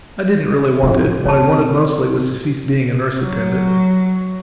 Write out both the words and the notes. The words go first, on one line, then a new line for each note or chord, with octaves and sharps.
I didn't really want it; what I wanted mostly was to cease being a nurse-attendant.
A2 F3 D4 F4 F#4
D3 A#3 C4 C#4 C#5 A5
F#3